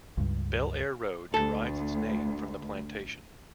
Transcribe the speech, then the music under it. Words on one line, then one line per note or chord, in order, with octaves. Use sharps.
Bell Air Road derives its name from the plantation.
C#2 G2
D2 A4